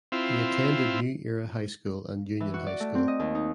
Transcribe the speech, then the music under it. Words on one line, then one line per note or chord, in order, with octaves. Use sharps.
He attended New Era High School and Union High School.
C4 E4 F4
E3
F#4
D5
A3
C4
D#5
D#2
D#4